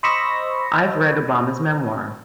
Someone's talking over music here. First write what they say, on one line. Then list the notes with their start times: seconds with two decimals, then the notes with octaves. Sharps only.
I've read Obama's memoir.
0.03 C5 D#5 B5 C#6 E6 A#6